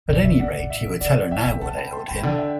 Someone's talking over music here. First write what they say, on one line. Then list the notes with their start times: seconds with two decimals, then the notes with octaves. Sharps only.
At any rate, he would tell her now what ailed him.
0.09 B2 D5
0.24 C3 E5
0.39 C3 D5 F#5
0.59 A2
0.70 E5
0.81 B2
1.00 D3 D5 F#5
1.31 E3 E5 G5
1.46 B2
1.61 C3 F#5 A5
1.77 G5 B5
1.93 A5 C6
2.08 C3 G5 B5
2.22 D3 F#5 A5
2.38 E5 G5